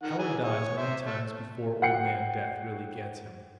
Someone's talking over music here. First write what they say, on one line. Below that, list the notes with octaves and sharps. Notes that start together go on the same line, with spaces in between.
A coward dies many times before Old Man Death really gets him.
D#3 F#5
E3 G#4
C#5
C5 E5
A3
F#5 G5 C7 C#7